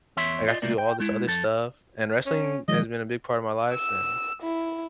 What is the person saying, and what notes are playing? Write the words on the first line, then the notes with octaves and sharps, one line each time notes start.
I got to do all this other stuff, and wrestling has been a big part of my life and
E2 C#5 E5 C6
F4 D5 D#5
C2 A#2 A3 A#3 D5
G5
G#3 E4
F2 A4
C#4
D#3 F3 G#3 D#5
E6
E4